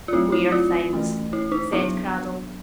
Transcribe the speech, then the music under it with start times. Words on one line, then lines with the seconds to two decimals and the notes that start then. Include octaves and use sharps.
"Queer things!" said Cradell.
0.08 F4
0.13 F#3 A3 C4 E4
0.32 E4
0.52 F4
0.93 E3 A3 C#4
1.33 E4
1.52 D#4
1.73 F#3 B3 D4 E4